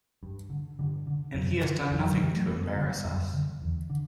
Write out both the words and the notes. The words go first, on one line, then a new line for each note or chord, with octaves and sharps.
And he has done nothing to embarrass us.
G2
D3
G2 D3
D3
F#2
D3
F#2 E3
D3 F#3
D3 E3 G3
F#3 A3
F#2 G3 B3
D3
F#2
D3
E2
D3